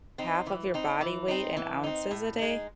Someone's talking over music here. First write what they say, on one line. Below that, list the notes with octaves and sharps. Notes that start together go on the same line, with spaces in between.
half of your body weight in ounces a day?
C4 D#4
E3
C4 D#4
E3
C4 D#4
E3
C4 D#4
A2
G#3 D#4